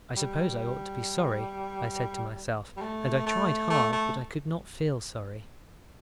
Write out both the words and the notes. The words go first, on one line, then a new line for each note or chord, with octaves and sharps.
"I suppose I ought to be sorry," I said to myself; and I tried hard, but I could not feel sorry.
G3
G3
A3
A3
A3
A3